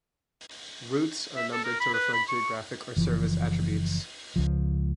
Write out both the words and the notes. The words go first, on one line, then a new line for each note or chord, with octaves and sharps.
Routes are numbered to reflect geographic or service attributes.
E5
A4
A#4
B5
B4
B5
C#6
F#1 E3 F3
C#2 F3